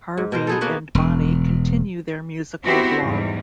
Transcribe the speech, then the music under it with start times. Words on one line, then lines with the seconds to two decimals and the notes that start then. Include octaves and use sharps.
Harvey and Bonnie continue their musical blog.
0.18 G#2
0.32 B2 A#4 C5
0.47 B3 G#4 A4
0.61 A#3 B3 F#4 B4
0.95 E1
2.64 B3 C4 E4 F#4 G4 C5
3.00 E2 G#2 G3